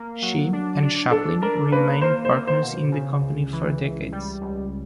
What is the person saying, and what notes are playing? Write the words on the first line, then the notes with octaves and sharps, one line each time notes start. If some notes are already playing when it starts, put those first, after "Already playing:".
She and Chaplin remained partners in the company for decades.
Already playing: A#3
F#3
D4
D4
D4 A4
D4 A#4
A#3 B4
A#3 C5
C5
A#3
C5
B2
C#3
C#2
E3
C#2
G3
C#2